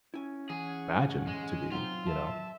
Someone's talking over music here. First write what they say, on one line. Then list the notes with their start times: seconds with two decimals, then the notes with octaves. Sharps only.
imagine to be, you know?
0.14 C#4 E4 G#5
0.50 E3 G#4 F#5
1.27 G#3
1.72 F#3 C4 D#4 F4
2.06 E5 A5